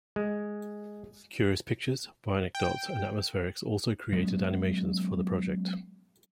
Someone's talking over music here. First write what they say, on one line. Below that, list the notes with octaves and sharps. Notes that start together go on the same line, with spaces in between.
Curious Pictures, Bionic Dots, and Atmospherex also created animations for the project.
G#3
G5
F#3 G#3 B3 C#4